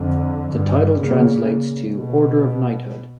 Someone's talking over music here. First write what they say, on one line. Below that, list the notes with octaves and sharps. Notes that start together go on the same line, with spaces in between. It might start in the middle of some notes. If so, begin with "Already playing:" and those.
The title translates to "Order of Knighthood".
Already playing: F2 D3
G2
A#2 C#3
B2